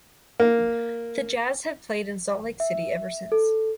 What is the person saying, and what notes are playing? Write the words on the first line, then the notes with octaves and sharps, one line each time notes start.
The Jazz have played in Salt Lake City ever since.
A#3
E5
A4